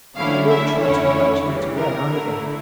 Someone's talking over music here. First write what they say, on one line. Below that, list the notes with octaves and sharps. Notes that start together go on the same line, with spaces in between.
And I won't try to imagine it away, either.
D3 A3 C#4 E4 F5
E5
F2 D3 A3 C#4 E4 C#5
C#3 E3 G3
A#4
D3 A3 E4